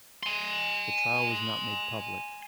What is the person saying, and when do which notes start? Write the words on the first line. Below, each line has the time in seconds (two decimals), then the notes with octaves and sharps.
The trial was not made public.
0.23 G#5 C6